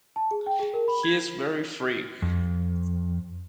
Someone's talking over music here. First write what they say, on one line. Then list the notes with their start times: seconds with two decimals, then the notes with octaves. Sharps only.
He's very free.
0.16 A5
0.31 G#4
0.46 G5
0.59 G#4
0.74 A#4
0.88 B5
1.03 G#6
2.22 F2